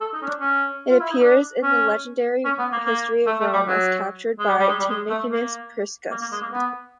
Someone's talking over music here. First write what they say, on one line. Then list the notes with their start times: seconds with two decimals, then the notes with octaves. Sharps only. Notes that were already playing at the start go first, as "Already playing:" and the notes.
It appears in the legendary history of Rome as captured by Tarquinius Priscus.
0.01 A4
0.14 D#4
0.22 C#4
0.27 D4
0.40 C#4
0.90 F4
1.01 E4
1.11 D#4
1.22 D4
1.63 C#4
2.45 C#4
2.59 B3
2.72 A#3
2.86 A#3
3.26 A3
3.40 A3
3.53 G3
3.67 F#3
4.39 G#3
4.49 G3
4.59 G3
4.69 G#3
4.79 G3
4.89 G#3
5.10 A3
5.30 A#3
6.11 A#3
6.22 A#3
6.32 G#3
6.42 A#3
6.53 B3